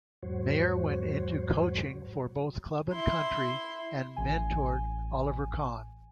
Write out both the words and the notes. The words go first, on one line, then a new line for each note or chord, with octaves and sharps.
Maier went into coaching for both club and country and mentored Oliver Kahn.
E2 G#2 F#3 F#4 C5 C#5
E4 C6
A1 G#5